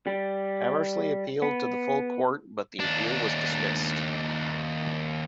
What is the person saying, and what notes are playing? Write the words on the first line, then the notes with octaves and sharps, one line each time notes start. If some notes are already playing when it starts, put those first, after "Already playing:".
Hamersley appealed to the full court, but the appeal was dismissed.
G3
B3
D#2 D4